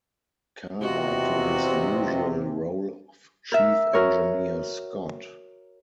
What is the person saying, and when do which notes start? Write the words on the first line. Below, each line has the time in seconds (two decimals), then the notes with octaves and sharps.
Carver to his usual role of Chief Engineer Scott.
0.81 E2 C3 F4 F#4 D#5
3.52 A#4 E5
3.94 F#4 A#4 C#5